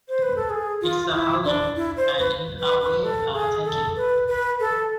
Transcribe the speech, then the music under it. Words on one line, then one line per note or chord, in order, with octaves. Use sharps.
It's a hello, and in a way a thank you.
C5
B4
A4
G#4
F4
E4
D4
E4
C5
B4
B4
B4
A4
G#4
A4
B4
B4
A4